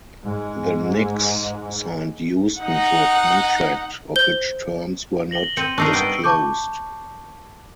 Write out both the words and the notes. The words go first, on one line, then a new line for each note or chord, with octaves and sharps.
The Knicks signed Houston to a contract, of which terms were not disclosed.
G#2 G#3
D#4 F#5
C5 G6 G7
A#6 F#7 G7
C4 C#7 D#7
D4 D#4 A#4 C#6 E6 C7
G3 B3 D7
A5 C#6 D6 G6